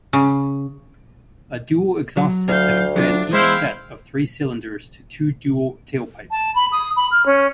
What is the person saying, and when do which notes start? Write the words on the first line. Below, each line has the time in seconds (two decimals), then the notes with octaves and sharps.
A dual exhaust system fed each set of three cylinders to two dual tailpipes.
0.13 C#3
2.17 F#3
2.48 D2 F5 G6
2.96 F#3 D4 F4
3.33 E2 G#3 E4 C5 F5 G5
6.31 A5
6.55 B5
6.71 D#6
6.96 B5
7.11 F6
7.26 C#4